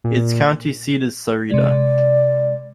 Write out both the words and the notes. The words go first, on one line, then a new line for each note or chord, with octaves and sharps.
Its county seat is Sarita.
A#2
C3 G#3 D5